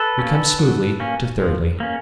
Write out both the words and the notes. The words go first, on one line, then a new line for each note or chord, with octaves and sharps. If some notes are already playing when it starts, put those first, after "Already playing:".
'We come smoothly to thirdly.
Already playing: A4 B4
A#3 C#4
F#3
A#3 C#4
F3
A#3 C#4